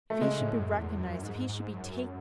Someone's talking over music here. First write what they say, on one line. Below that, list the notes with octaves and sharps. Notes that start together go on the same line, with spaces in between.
If he should be recognised! If he should be taken!
A3
C#3 G#3
A2
F#2
E2
F#2
G#2
G#2
F#2